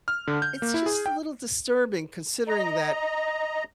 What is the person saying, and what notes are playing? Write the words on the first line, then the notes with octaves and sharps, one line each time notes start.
it's just a little disturbing considering that
F6
D3
G6
A#3
E4
G#4
G5
D#5 A#5